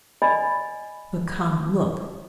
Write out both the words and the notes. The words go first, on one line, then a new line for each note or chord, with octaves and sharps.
But, come--look!
D5 D#5 G#5 B5